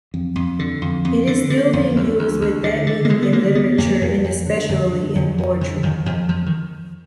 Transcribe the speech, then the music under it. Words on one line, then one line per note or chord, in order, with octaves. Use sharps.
It is still being used with that meaning in literature and especially in poetry.
F2
F2
D3
F2
F2
D3
D3
F2
D2
D2
D2
D3
D3
A#3
D3 G#3
B3
D3 A#3
D2 B3
F2 A#3
F2
F2
D3
F2
D3
F2
F2
F2 D3
F2 D#3
F2 F3
F2 F3
D#3